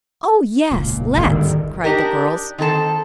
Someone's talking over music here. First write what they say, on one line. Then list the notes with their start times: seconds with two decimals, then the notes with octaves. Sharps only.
"Oh, yes, let's!" cried the girls.
0.71 E1 C#2 A#2
1.17 G#1 D3 D#3 G3
1.84 D4 D#4 G4 A#4
2.58 D#3 C4 A4 A5